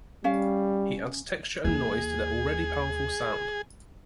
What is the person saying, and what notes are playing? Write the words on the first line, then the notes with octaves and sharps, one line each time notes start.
He adds texture and noise to their already powerful sound.
G3 C#4 F5
D#2 E3 G#4